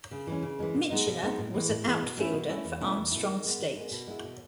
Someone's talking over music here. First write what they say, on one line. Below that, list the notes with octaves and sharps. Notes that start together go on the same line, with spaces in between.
Michener was an outfielder for Armstrong State.
C#3
E3 G#3 C#4
C#3
E3 G#3 C#4
B2
G#3 B3 D#4
B2
G#3 B3 D#4
A2
E3 G#3
A2
E3 G#3
B2
A3 C#4 E4
B2
A3 C#4 E4
E2
B2 A3 C#4 E4
E2
B2 A3 C#4 E4
D#3
G#3 B3
D#3
G#3 B3
B2
G#3 B3 E4
B2